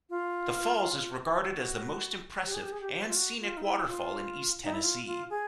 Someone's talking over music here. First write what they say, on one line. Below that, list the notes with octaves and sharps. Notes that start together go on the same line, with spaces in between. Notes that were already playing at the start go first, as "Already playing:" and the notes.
The falls is regarded as the most impressive and scenic waterfall in East Tennessee.
F4
F#4
G4
G#4
G4
G#4
G4
G4
F#4
F4
F#4
F4
D#4
E4
F4
D#4
E4
F4
F4
G#4